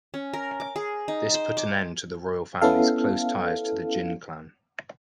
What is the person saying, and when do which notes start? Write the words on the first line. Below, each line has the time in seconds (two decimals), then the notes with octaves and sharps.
This put an end to the royal family's close ties to the Jin clan.
0.14 C#4
0.33 A#4
0.60 D6
0.76 G#4
1.08 D#4
1.34 C5
1.57 D6
2.61 B3 C#4 E4 A4 F5